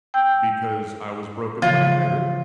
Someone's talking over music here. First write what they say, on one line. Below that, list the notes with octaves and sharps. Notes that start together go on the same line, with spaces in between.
because I was broken when I met her,
G5 E6 G6
C#3 E3 F3 F4